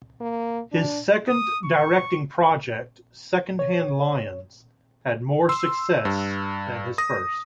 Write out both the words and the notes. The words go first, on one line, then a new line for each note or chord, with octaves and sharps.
His second directing project, "Secondhand Lions" had more success than his first.
A#3
D4
D#6
C#6
C#5
C6 E6
G2
D#6 A#6